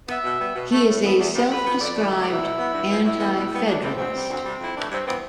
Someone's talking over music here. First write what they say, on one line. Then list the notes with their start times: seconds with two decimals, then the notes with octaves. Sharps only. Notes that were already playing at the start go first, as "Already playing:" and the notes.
He is a self-described Anti-Federalist.
0.09 B3 E5
0.24 B2
0.41 G3 B3
0.55 B2
0.71 A3
0.87 A2
1.02 E3 B3
1.18 E2
1.34 C3 G3 B3
1.49 F2 B4
1.64 C3 F3 B3
1.80 F2 D5
1.95 E3 A3
2.11 D2 E5
2.21 D5
2.26 C3 E3 B3 E4
2.42 B2
2.58 B3
2.73 G2
2.88 F3 B3
3.04 A2 E4
3.19 E3 G3 B3
3.36 B2
3.51 G3 B3
3.66 E2 D4
3.81 C3 G3 B3 C4
3.97 D2 C4
4.13 C3 G3
4.29 D2
4.44 C3 G3
4.59 F2 E4
4.75 E3 A3 D4
4.90 G2 C4
5.06 E3 B3 C4